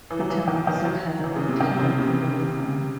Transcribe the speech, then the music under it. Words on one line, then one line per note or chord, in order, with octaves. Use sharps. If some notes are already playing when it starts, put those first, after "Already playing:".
The town also had a hotel early on.
E3
F#3
E3
D#3
D#3
F#3
E3
C#3
C3
D#3
C3
C#3
C3